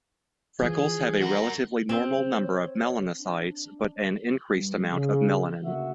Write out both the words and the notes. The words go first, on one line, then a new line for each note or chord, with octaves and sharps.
Freckles have a relatively normal number of melanocytes but an increased "amount" of melanin.
E3 F3 G#4
F#4 A#4
C4
C#5
D4
G2
C#3
D2 C#3 A#3 F#4 E5